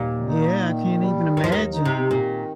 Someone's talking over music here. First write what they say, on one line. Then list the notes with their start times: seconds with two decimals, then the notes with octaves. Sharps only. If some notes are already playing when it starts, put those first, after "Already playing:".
Yeah, I can't even imagine.
Already playing: D#2 A#2
0.26 D#4
0.64 D#3
1.00 G3
1.36 D#2 D#3
1.44 F3
1.52 D#3
1.73 D#4
1.85 C3
2.10 A#2 D#3